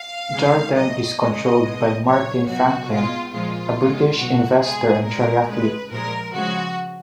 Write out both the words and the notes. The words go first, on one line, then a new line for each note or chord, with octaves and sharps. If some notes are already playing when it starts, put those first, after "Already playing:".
Jarden is controlled by Martin Franklin, a British investor and triathlete.
Already playing: F5
C#3 G#3
B2 F#3 D#5
C#3 G#3 D#5
B2 G#3
A#2 F#3 C#5
B2 F#3 F#4
B2 G#3 F4
A#2 F3 G#3 F4
B2 G#3
B2 F#3 F#4
B2 G#3 G#4
A#2 G#3 A#4
C#3 G#3 B4
A#2 F3 G#3 A#4
C#3 F3 G#3 F#4